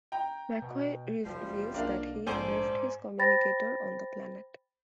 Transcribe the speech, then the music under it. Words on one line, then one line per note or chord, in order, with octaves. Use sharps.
McCoy reveals that he left his communicator on the planet.
G5 A#5
B2
F#1 F3 G3
B1 A#3 D4 F5
A#1 G#2 A3 A4 C5 D5 G#5 G7
C5 G5 B5 A6 A#6